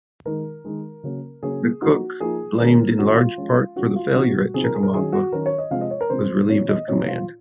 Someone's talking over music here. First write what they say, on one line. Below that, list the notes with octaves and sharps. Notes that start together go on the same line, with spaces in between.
McCook, blamed in large part for the failure at Chickamauga, was relieved of command.
D#3 G#3 D#4 A#4
D#3 G#3 D#4
C#3 F#3 A#3 C#4
C#3 F#3 A#3 C#4 G#4
F3 A#3 D#4 F#4
F3 A#3 D#4 G#4
D#3 G#3 C#4 A#4
D#3 G#3 C#4 F#4
F#4
F4
F3 G#3 C#4
F3 G#3 C#4 F#4
F4
C3 F3 C4 D#4 F#4
C3 F3 C4 D#4 G#4
A#4
G#4
A#4
D#3 F#3 C#4 G#4
F#4
D#3 F#3 C#4 A#4
C#5
D#5
C3 F3 G#3 C4 F5
D#5
C#5
A#4
C3 F3 G#3 C4 C5
A#2 F#3 C4 D#4 C#5
D#5
A#2 F#3 C4 D#4 C#5
F4